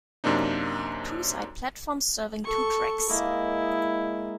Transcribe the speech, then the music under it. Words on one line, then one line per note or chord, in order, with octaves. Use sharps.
Two side platforms serving two tracks.
F#2 C3 A#3 D4 D#4
A4 C#6
G#3 A#3 E4 D#5